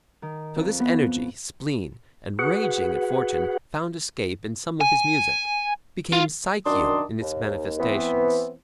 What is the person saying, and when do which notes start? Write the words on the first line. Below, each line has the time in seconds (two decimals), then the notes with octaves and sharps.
So this energy, spleen and raging at fortune found escape in some of his music, became psychical in its manifestations.
0.22 D#3
0.56 F2
0.80 B3
2.39 F#4 G#4 B4 F#5
4.81 G#5
6.13 F4
6.66 F#2 D#3 D4 C6 D#6
7.21 D#2
7.79 E3 B3 C4